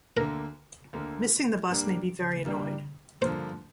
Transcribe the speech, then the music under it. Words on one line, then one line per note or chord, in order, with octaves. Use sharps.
Missing the bus made me very annoyed.
D2 D3 A#3 A#4
D2 D3 A#3
G2 G3 A#3 D4
G2 G3 A#3 D4
G2 D3 F3 A#3 C5